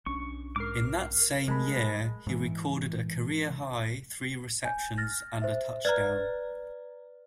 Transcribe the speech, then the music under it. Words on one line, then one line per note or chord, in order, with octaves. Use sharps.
In that same year he recorded a career-high three receptions and a touchdown.
B1 C#4 D4 C#6
G#2 A#4 D6 F6 C7
C3 F#3 G#3 A3 A#4 A5 B5
G#2 E3
G#5 G6
F6 A6 A#6
C5 E5
B4 D5 A#5 F6 G#6